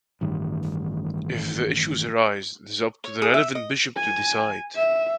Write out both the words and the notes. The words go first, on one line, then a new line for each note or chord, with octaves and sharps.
If the issue arises, it is up to the relevant Bishop to decide.
A1 G2 D#3 G3
C#5
G#4
E5
D#5
G#5
E5